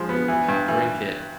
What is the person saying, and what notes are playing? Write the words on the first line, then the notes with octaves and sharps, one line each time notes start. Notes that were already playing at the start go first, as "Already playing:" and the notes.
drink it,
Already playing: F3 G#3
B3
E3
G2
E3